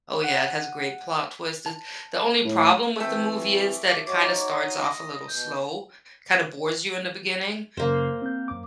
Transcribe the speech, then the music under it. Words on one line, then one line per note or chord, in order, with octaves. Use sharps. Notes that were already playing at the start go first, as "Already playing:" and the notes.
Oh yeah, it has a great plot twist, it The only problem with the movie is that it kinda starts off a little slow, kinda bores you in the beginning,
F#5 F#6 D#7
A5
A2
E3 A3 C4 A4 G5
D6
D#4 F#4 C#5
D#5
B2 G6
F#2 C#3 A#3 C5
C4 G6
F#2 D6